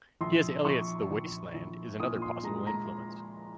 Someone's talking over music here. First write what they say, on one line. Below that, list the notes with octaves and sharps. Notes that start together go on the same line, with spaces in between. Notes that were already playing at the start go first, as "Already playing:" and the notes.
T. S. Eliot's "The Wasteland" is another possible influence.
A#1 C6
A#1 C#6
A#1
A#1
A#2 D#6
C6
G#3 A#5
A#5